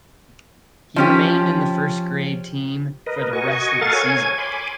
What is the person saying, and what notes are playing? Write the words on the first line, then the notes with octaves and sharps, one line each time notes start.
He remained in the first grade team for the rest of the season.
F3 C#4 G4
A#4 B4 D#5
F#4 D#5 G#5 C#6
A4 A#4 F5 F#5 A6
C#5 G#5 G#6
G#5 B5 C6 D6